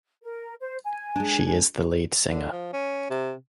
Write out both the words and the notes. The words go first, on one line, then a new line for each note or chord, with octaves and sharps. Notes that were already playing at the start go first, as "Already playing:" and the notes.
She is the leader singer.
A#4
C5
G#5
G#3 D4
D3
F3
C#4
C3